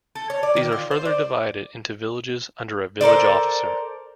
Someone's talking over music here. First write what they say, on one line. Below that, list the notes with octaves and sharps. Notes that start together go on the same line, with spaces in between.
These are further divided into villages, under a Village officer.
A4
C#5
D5
D#3
F4
C5
D5
A4 A#4 C5 D5